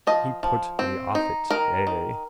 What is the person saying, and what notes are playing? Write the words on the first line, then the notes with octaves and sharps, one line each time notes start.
He put me off it. Ay.
F3 D#5
F3
C4
D#4
D#3 A#4
D#3